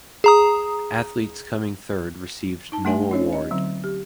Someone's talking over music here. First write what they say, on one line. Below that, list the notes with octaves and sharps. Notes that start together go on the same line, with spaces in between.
Athletes coming third received no award.
G#4 A#5 D#6
D#4 A5
A3 D4 E5 G#5
C#4 D#4 F4 C#5
D#5
D3 F#3 C4
G4